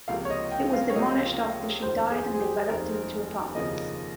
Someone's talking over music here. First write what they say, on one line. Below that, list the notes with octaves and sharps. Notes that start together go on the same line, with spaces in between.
It was demolished after she died and developed into apartments.
C#2 C3 F3 A#3 F5
C#5
D#5
G5
F5
C#5
C#2 C3 F3 A#3 D#5
F1 D#2 D#3 C5
G#4
G#4
G4
F1 D#2 D#3 A#4
F1 D#2 C#3 F3 A#3 D#5